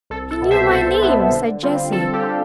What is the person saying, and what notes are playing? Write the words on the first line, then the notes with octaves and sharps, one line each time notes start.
"He knew my name," said Jessie.
C2 A4
A4
B2 B3 E4
C5 E5
C2 A4 C5
B2 B3 E4
D3
G3 C4 F4
D3 A4
G4
G3 C4 F4